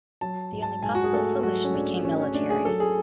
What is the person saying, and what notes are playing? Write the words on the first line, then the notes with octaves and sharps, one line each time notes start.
The only possible solution became military.
F#3 A5
G#2
A5
G#2 G#5
F#4
G#4
A3 A4
F#3 F#4
C#4
G#2 D4
G#2 C#4
C#4
A3 D4
G#4
F#3 A4
G#4